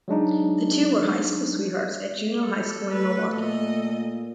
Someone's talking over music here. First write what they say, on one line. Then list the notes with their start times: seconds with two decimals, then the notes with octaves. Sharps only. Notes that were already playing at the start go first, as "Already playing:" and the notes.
The two were high-school sweethearts at Juneau High School in Milwaukee.
0.08 F#3 G#3 D4 D#4
2.43 A4
2.92 A3 B4
3.34 A#2 D#5